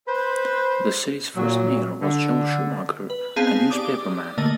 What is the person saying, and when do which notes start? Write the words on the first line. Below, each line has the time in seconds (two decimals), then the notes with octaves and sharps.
The city's first mayor was Joel Shomaker, a newspaperman.
0.08 B4 C5
1.37 A#2 F#3
2.02 D3
3.10 B4
3.36 B3 C4 D#4 G#4 F5 A5
3.70 G4 D5 D6 D#6
4.38 D3 A3 A#3 D#5 A5